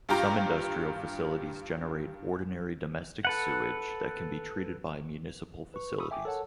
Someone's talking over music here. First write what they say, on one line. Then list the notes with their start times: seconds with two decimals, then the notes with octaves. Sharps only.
Some industrial facilities generate ordinary domestic sewage that can be treated by municipal facilities.
0.09 G2 F4 G4 A#5
3.25 A4 B4 F#5
5.74 B4 C#6
5.98 A4 B5 C#6 D#6 E6
6.11 E5 G5 G#5 D6
6.25 A4 A#4 C#5 F#5 A5